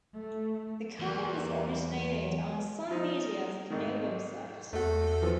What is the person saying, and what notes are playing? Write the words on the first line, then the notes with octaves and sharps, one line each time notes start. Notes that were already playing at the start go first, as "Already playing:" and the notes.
The column was originated on Sun Media's Canoe website.
A3
E2 G3 A#3
F3 D#4
G#1 D#3
E2 A3 F#4 A4
E3 F3 B3